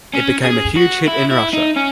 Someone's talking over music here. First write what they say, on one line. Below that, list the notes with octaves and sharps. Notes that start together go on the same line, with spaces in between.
It became a huge hit in Russia.
C#4
G#4
F#4
E4
E4
D#4
C#4